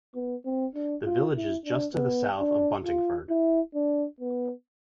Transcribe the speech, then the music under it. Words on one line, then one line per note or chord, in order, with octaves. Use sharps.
The village is just to the south of Buntingford.
B3
C4
D4
F4
E4
D4
B3
D4
F4
E4
D4
B3